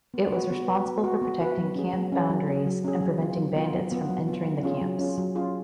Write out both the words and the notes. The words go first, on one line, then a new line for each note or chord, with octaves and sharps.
It was responsible for protecting camp boundaries and preventing bandits from entering the camps.
B3
F#4 B4
B3
F#4 B4
B3
F#4 B4
B3
F#4 B4
F#3
C#4 G#4
F#3
C#4 G#4
F#3
C#4 G#4
F#3
C#4 G#4
F#3
B3 F4
F#3
B3 F4
F#3
B3 F4
F#3
B3 F4
F#3
C#4 F4 G#4
F#3
C#4 F4 G#4
F#3
C#4 F4 G#4